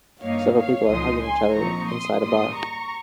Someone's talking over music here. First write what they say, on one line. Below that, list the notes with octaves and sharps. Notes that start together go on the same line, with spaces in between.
Several people are hugging each other inside a bar.
G2 D#3 A#3 D#4 C#5 F5
C#5 F5
C#2 C#3 F3 G#3 D#4 C6 D#6
G#5 C6
A#2 F3 C4 D#4 A#5 C#6
C6 D#6
G#2 D#3 G3 A#3 C6 D#6
A#5 C#6